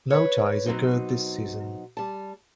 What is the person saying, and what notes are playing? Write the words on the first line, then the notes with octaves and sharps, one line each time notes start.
No ties occurred this season.
B4 C#5
B2 F#3 C4 D#4
G3 A5